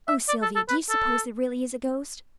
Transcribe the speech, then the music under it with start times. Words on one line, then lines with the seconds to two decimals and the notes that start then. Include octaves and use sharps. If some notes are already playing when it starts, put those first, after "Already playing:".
"Oh, Sylvia, do you suppose there really is a ghost?"
0.08 E5
0.29 D5
0.42 A4
0.55 A4
0.69 B4
0.90 A4